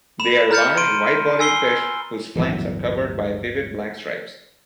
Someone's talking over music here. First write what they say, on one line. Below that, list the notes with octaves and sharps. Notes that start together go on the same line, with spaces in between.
They are large, wide-bodied fish whose flanks are covered by vivid black stripes.
B5 E7
A#5 F6 G6 A6 C#7
C6 D7 D#7
G#5 E6 C7 G7
D1 G1 E3 F#3